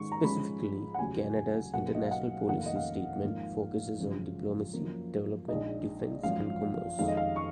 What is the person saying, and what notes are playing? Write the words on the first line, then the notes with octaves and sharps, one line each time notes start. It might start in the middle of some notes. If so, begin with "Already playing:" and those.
Specifically, Canada's International Policy Statement focuses on diplomacy, development, defense, and commerce.
Already playing: G#2 D#3 G#3 C#6
A#5
G#2 F3 G#3 C#4 B5
F#5
F1 D#2 C#3 F#3 G#5
B1 B2 F#3 A#3 F#5
D#5
F5
F#5
F1 F2 D#3 A#3 F#5
F5
D#5
F5
G#1 G#2 F3 A#3 D#4
G#1 F#2 C#3 F3 G#3
F#2 F3 A#3
A#1 A#2 G#3 D#4 D#5
G#1 F#2 F3 F5
F2 D#3 G#3 D#4 F5
D#5
F5
C#6